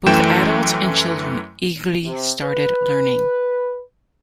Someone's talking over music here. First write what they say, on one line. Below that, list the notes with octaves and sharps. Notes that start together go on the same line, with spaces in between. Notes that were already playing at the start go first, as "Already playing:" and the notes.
Both adults and children eagerly started learning.
F#2 E3 A3 G5 E7
C3
B4